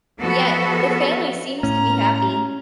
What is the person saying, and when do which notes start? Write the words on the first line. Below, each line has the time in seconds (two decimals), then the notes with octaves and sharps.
Yet, the family seems to be happy.
0.19 F3 B3 F#4 A4
1.63 A2 C#4 A#5